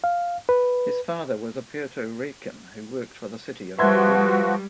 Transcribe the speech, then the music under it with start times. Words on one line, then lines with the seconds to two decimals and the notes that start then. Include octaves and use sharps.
His father was a Puerto Rican who worked for the City of New York.
0.04 F5
0.49 B4
3.79 F3 G3 F#4 B4 E5 C6 G#6